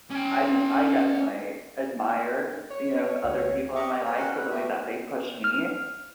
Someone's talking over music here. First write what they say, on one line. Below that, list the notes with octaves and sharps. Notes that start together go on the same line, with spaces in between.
I mean, I definitely admire you know of other people in my life for the way that they push me
C#4 G5
C#5
D2
G4 D#5 C#6 D6
G4
A#4 C#5
C#4 F#4 F#5 G5
B4
A3 G4
F6